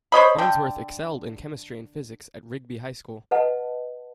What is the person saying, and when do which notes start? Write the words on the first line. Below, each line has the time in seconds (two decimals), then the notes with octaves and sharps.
Farnsworth excelled in chemistry and physics at Rigby High School.
0.12 C5 C#5 D#5 B5
0.38 D3 G5
3.31 B4 D#5 F#5 A5